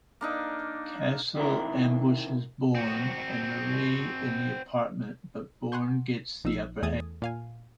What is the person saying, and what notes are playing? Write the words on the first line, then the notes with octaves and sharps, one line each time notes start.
Castel ambushes Bourne and Marie in the apartment, but Bourne gets the upper hand.
A#3 D4 D#4
C3 D#3 E3 E4 A#4
C4 F#4
F#5 G#5 C6 C#6 G6
A#1 D#4 E6
E2 A3 G#4 D#6 G#6 A6
A#2 F5 G#5